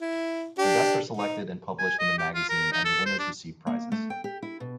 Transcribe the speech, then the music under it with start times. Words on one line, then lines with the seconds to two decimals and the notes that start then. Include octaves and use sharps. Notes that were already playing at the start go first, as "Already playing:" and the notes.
The best are selected and published in the magazine and the winners receive prizes.
0.01 E4
0.58 D4 G4
1.17 D#4
1.79 G#5
1.99 D#5
2.18 G4
2.35 F4
2.49 A#4
2.72 D#4
2.84 A4
3.05 C5
3.19 D4
3.67 A#3
3.92 A3
4.10 G5
4.24 G4
4.42 E4
4.60 B2